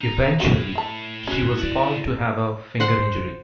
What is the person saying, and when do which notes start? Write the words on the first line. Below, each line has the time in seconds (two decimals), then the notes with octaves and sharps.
Eventually, she was found to have a finger injury.
0.01 D#4 A#5
0.40 A2 F#4 F5
0.75 E5 A5
1.27 C#4 F#4 F#6
1.58 E4 F#4 D5
2.80 C5 F#5 C6